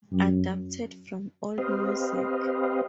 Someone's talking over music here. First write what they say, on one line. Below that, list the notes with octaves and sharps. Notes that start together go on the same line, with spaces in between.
Adapted from AllMusic.
F#2
C4 G4 B4 C5 D#5 F5